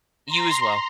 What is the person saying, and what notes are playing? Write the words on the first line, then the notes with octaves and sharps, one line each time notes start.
You as well.
A#5 C6